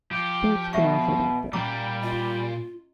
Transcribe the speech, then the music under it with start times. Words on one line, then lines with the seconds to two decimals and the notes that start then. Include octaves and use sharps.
Boats can also dock there.
0.11 F3 G4
0.73 B2 G4 E5 C#6
1.53 A#2 G3 C#4 A#5 D6
2.03 F4 D#5